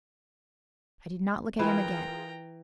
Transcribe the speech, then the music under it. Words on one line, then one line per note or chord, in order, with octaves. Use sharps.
I did not look at him again.
E3 F4 G#4 A#4 G5 A#5 B5